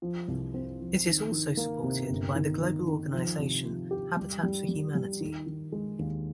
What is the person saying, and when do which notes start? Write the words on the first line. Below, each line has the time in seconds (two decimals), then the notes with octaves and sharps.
It is also supported by the global organization Habitat For Humanity.
0.02 F3
0.28 C2
0.54 C4
0.80 F3
1.06 D#3
1.31 D#3
1.57 A#3
1.83 C3
2.10 G1
2.35 D#3
2.62 D#3
2.88 D#3
3.13 F3
3.39 C3
3.65 F3
3.91 G4
4.17 G3
4.43 G3
4.69 G3
4.95 G3
5.21 D#3
5.47 D#3
5.72 G#3
5.99 D#2